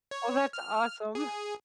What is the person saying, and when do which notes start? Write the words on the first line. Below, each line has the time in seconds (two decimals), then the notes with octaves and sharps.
Oh, that's awesome.
0.11 C#5
0.53 F6
1.15 G#4